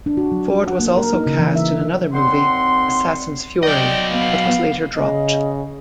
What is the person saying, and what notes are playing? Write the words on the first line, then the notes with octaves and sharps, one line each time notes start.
Ford was also cast in another movie, "Assassin's Fury", but was later dropped.
D4
F#4
F#3
C#4
F#5
A#3
A#4
D#4
C#3
E3
E5
D4
D#2 G3 C4 F#5 C6
F#3 D5 D#5 G5
B3 F5
C#3 D#5